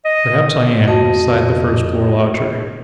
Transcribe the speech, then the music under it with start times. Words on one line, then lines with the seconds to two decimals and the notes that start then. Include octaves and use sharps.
Perhaps I am,' sighed the first-floor lodger.
0.05 D#5
0.87 F2 F#4 D#5 A5